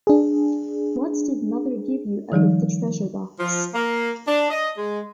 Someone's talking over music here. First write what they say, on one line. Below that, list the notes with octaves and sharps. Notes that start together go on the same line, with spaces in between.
What did mother give you out of the treasure-box?
D4 G#4
D#3 F3 G3 D#4
F3
A#3
D4
D#5
G#3